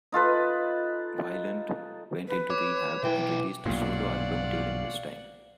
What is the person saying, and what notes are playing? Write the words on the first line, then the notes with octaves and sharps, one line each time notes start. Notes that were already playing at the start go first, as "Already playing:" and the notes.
Weiland went into rehab and released a solo album during this time.
D#4 F4 A4 B4
B4
C#5 D6
B1 E3 G5
B1 G2 A#2 G4 C#5 D5 F5 F#5